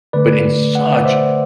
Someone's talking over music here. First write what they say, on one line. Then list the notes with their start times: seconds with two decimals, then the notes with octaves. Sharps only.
but in such
0.13 D3 A3 B4 D5
0.75 F#5
0.86 E5
0.96 D5
1.05 C5 E5